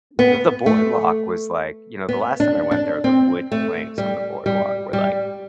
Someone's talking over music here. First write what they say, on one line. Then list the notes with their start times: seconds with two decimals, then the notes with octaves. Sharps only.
The the boardwalk was, like you know, the last time I went there, the wood planks on the boardwalk were, like,
0.19 B3
0.66 A3
2.09 B3
2.40 D4
2.71 D4
3.04 C4
3.52 A3
3.98 G3
4.46 G3
4.93 G3